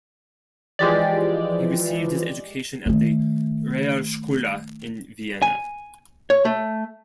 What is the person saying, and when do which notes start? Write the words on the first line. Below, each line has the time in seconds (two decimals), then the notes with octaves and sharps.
He received his education at the Realschule in Vienna.
0.79 E3 F3 G#3 G4 D5
2.86 D#3 A3
5.42 G#5
6.30 C#5
6.45 A3